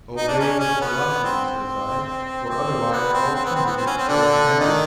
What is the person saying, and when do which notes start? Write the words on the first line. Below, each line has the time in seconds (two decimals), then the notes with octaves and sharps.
Obey with velocity,' says I, 'for otherwise alternatives are impending.
0.17 D#4
0.28 D4
0.39 C#4
0.60 C#4
0.81 B3
1.24 C4
1.45 C4
2.49 C4
2.92 B3
3.13 C4
3.34 C4
3.45 B3
3.55 C4
3.65 B3
3.76 C4
3.86 C#4
3.98 C4
4.08 D3 D4
4.60 D#3 D#4